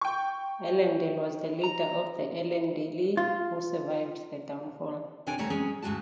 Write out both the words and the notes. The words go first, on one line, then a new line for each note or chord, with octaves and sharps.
Elendil was the leader of the Elendili who survived the Downfall.
G5 C#6
A#5
F4
C3 C4 D4 A#4 C#5 G#5
D#2 G3 A3 C4 C#5 A#5
F#3 G#3 C#4 G#4
D2 G2 F#3 G#3 F#4 A5